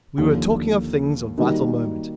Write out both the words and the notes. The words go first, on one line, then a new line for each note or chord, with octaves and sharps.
We were talking of things of vital moment.
D#2 D3 F3
D#3 G3 A#3 D#4 F#4